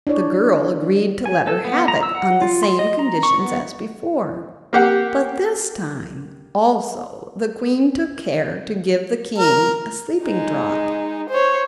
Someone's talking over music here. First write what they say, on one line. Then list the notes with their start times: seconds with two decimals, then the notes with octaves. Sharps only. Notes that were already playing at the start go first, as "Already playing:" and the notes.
The girl agreed to let her have it on the same conditions as before; but this time, also, the queen took care to give the king a sleeping draught.
0.07 D4 E4 C#5 D5
1.26 G#5
1.47 A4
1.64 B3
1.88 A#5
2.03 E6
2.15 F#5
2.42 F4
2.63 C6
2.79 D#5
2.99 A#5
3.23 C#6
3.40 B3
4.73 A#3 G4 F#5
9.38 A#4
10.23 G#3 D#4
11.30 C5 C#5